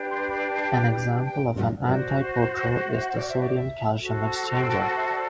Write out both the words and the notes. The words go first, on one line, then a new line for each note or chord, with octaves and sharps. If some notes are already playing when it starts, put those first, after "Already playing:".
An example of an antiporter is the sodium-calcium exchanger.
Already playing: D4 G4 B4
C6
B5
A5
A5
G5
F#4 C5 D5
E5
F#5
D5
E5
D5
E5
F#4 A4 C5
G5
A5
G5
F#5
E5
D5